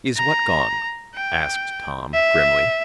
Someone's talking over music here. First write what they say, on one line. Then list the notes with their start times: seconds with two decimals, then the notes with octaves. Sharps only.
"Is what gone?" asked Tom, grimly.
0.16 A#5
1.15 G5
2.14 E5